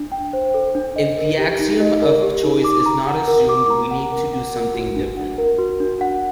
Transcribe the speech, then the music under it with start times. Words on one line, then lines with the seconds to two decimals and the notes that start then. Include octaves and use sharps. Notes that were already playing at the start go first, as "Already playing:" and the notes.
If the axiom of choice is not assumed we need to do something different.
Already playing: D4
0.12 G5
0.33 C5
0.54 A4
0.75 D4
0.96 D#5
1.17 A#4
1.38 G4
1.59 D#4
1.80 D#5
2.02 A#4
2.22 G4
2.43 D#4
2.64 D6
2.86 A#5
3.07 F#5
3.28 A#4
3.49 D6
3.70 A#5
3.91 F#5
4.12 A#4
4.33 F#5
4.54 A#4
4.74 F#4
4.96 D4
5.17 F#5
5.38 A#4
5.58 F#4
5.80 D4
6.01 F#5